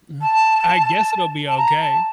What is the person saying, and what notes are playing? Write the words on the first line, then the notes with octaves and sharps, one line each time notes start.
Mhm. I guess it'll be okay
A5
A5
A#5
A5